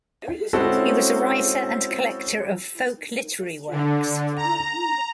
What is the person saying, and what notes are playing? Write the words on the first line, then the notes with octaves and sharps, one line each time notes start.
He was a writer and collector of folk literary works.
G#3 C4 C#4 E4 F#4 A4
D3
A#5